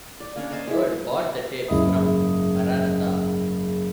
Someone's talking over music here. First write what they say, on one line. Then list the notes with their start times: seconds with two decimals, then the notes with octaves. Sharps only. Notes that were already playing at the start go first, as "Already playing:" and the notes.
Word bought the tapes from Maranatha!
0.20 D5
0.36 A#3 C#4 D4
0.51 C5 D#5 G#5 A5
0.67 G#3 E4
1.68 F#1 G#2 C#3 E4 D#5 D#6